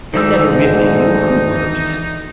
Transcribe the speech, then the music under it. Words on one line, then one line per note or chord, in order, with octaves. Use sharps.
"I never really knew who wrote it."
D2 G#2 D#3 E3 D#4 E6